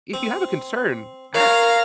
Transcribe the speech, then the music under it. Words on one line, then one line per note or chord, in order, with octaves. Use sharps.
"If you have a concern, ask.
C4
A#4 C#5 F5 A#5